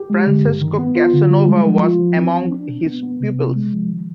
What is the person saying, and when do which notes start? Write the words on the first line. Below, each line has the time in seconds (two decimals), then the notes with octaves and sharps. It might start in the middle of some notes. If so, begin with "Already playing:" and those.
Francesco Casanova was among his pupils.
Already playing: G4
0.10 G#3
0.27 D3
0.44 G2
0.61 D#3
0.79 B3
0.95 F4
1.13 D3
1.30 G3
1.47 G#3
1.64 F3
1.82 F4
1.99 F3
2.17 C4
2.34 C4
2.51 D4
2.69 B2
2.86 B3
3.03 B3
3.20 C3
3.38 C3
3.55 G#3
3.72 F3
3.90 D#3